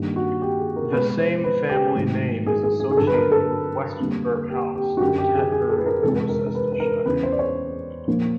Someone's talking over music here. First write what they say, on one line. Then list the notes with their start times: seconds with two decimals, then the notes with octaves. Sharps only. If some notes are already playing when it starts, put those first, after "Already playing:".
The same family name is associated with Westonbirt House near Tetbury, Gloucestershire.
Already playing: G2 D#3 G3 A#3
0.16 F#4
0.42 G4
0.59 G#4
0.76 A#4
0.92 B2 G#3 B4
1.07 B4
1.18 C5
1.44 B4
1.69 G4
1.95 G#2 D#3 F#3 A3
2.46 G#4
2.63 G#4
2.79 G#4
2.91 G#4
2.97 G2 D3 F#3 A4
3.07 B4
3.14 A#4
3.32 A4
3.99 F2 D3 G3 A#3
4.50 G4
4.75 G4
4.97 F#4
5.01 F#2 D3 F#3 G4
5.18 G4
5.35 G#4
5.52 G#4
5.69 A4
5.78 B4
5.86 A#4
6.03 F2 C3 E3 G#3 A4
6.29 A#4
6.46 A#4
6.55 B4
6.72 B4
6.80 A#4
7.05 E2 C#3 E3 B4
7.23 C5
7.32 D5
7.39 C#5
8.08 A#2 F3 A#3